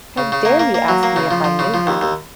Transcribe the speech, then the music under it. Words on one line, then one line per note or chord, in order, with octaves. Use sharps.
How dare you ask me if I knew him?
C#3
C#3
A#3
A#3
A#3
F#3
A#3
C#3
F3
F3
C#3
F3
D#2
D#2